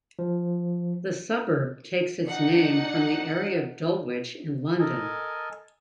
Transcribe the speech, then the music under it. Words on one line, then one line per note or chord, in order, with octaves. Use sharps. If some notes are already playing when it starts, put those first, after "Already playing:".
The suburb takes its name from the area of Dulwich in London.
F3
D4 D#4 F#5 C#7
A4 A#4 D#5 G#5